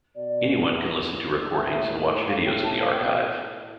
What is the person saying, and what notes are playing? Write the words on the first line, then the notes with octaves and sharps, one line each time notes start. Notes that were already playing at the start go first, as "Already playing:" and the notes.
Anyone can listen to recordings and watch videos in the archive.
B2 D5
G2
A2 E5
F5
G5
A5
F5
G5
B2 F5
A2